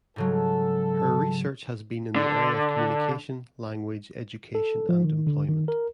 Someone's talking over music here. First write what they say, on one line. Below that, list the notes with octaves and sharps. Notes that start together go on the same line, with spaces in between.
Her research has been in the area of communication, language, education and employment.
G#2 C#3 F#3 A4
D3
A4
F3
D#3
D3
D#3
A#4